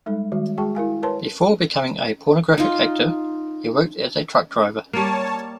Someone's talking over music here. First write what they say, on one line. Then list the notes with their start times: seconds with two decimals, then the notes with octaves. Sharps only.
Before becoming a pornographic actor, he worked as a truck driver.
0.06 G3 G#3 D#4 A4
0.32 D#3 G3 G#3 F#4
0.57 G#3 F#4 G#4 G5 A5 C#6
0.75 E4 A#4 F5 G#5
1.03 A#4 B4 C#5 A5 C6
2.58 D#4 F4
4.93 G3 A#3 C#5 A5